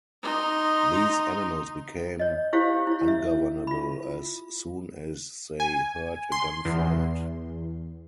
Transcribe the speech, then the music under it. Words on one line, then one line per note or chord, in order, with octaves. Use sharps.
These animals became ungovernable as soon as they heard a gun fired.
D#4 C6
C#5 D#5
E4 G4 C5 C#5 F5
E4 C#5
E5
F4 B5
G#5
C6
E2